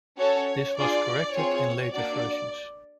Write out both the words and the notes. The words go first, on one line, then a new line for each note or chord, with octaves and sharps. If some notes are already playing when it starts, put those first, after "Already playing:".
This was corrected in later versions.
C#4 F#4 A4 C#5
D4 F4 G#4 D5
C4 F4 G#4 C#5
A#3 D4 F#4 D5